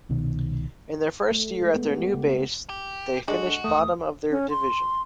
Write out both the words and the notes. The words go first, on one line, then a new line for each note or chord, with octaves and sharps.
In their first year at their new base, they finished bottom of their division.
C2 B2 D#3
A3
G#3
B3
G4
C#3
G4
G#3 D4 F#4 A4
E2 A3 D#6
C#4
C6